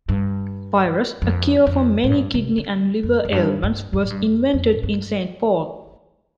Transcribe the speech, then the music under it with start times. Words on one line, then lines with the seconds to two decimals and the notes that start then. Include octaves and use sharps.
Pirus, a cure for many kidney and liver ailments, was invented in Saint Paul.
0.09 G2
1.22 F2
1.67 F2
2.04 A2
2.12 G2
2.34 C3
2.58 D3
3.03 F2
3.25 F2
3.32 G2
3.63 G2
3.93 G2
4.02 A2
4.10 G2
4.24 F2
4.54 F2
4.72 A2
4.83 G2